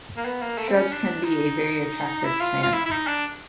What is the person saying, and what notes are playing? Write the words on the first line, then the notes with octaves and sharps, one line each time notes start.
Shrubs can be a very attractive plan.
A#3
B3
A#3
A3
C4
C#4
D4
D#4
E4
F4
F4
E4
E4
D#4
D4